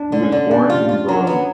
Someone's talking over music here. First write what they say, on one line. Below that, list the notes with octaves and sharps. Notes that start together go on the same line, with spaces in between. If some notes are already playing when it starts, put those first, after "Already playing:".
He was born in Verona.
Already playing: D4
D3
C#4
D3
G3 D4
F4
F4
F#3
B3